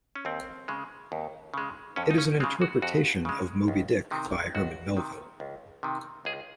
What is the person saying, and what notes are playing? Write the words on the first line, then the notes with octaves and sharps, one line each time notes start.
It is an interpretation of "Moby-Dick" by Herman Melville.
C#4
D#2 C4
C#3 G#3
D#2
C#3 G#3
F2 C#4
D#4
C#4
C#3 G#3 C4
F#4
F2 F#4
C#3 G#3
C#2
C3 D#3
C#2 F#4
C3 D#3
C#2
C3 D#3
C#2 G#4